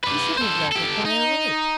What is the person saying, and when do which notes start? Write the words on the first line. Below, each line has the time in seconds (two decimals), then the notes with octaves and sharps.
You should have led it by a rope.'
0.04 B4 D5
0.38 A4 C5
0.72 G4 A4
1.05 D#4